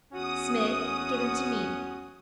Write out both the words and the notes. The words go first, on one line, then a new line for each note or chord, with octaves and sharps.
Smid, give him to me.
E2 C#4 F#4 D#6